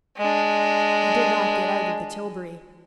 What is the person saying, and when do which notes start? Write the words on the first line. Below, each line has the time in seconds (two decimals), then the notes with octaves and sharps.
He did not get out of the tilbury.
0.17 G#3 D4